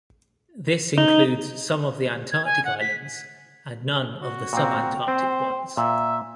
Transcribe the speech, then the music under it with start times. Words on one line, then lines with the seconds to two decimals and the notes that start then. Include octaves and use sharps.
This includes some of the Antarctic islands and none of the subantarctic ones.
0.98 D#4
2.31 G#6
2.45 G#5
2.65 F#5
2.80 B6
4.22 F#4
4.53 A#2 C4 G5
5.08 C4 C5
5.77 A#2 E5